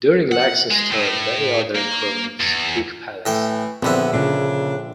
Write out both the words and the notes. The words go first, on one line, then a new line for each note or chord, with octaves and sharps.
During Lacson's term many other improvements took place.
F#5
G#3
A2
A#3
E2
A2 E3 A4 G5
A#1 D3 B3 C4 E4
A#2 C#3 D4